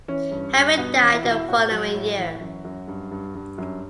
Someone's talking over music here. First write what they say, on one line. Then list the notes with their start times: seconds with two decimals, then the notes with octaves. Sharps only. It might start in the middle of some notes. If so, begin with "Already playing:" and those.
Harry died the following year.
0.08 E3 C#4
0.31 G2
0.54 G2
0.77 B2 B3
0.95 C#4
1.02 E2
1.13 E4
1.24 B2
1.30 E4
1.48 A2 F#4
1.71 F#3
1.94 A2
2.17 E3
2.41 F#2
2.65 F#2
2.88 G2
3.11 G2
3.35 G2
3.58 F#2